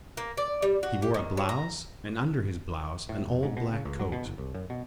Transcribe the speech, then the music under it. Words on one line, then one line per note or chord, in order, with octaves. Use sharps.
He wore a blouse, and under his blouse an old black coat.
A#3
D5
G3
F#4
G4
D#3
F#3
A#5
A2
F1
G#2
B2
C#3
C#2
F#3
B2
F#1
C2
F#2
B2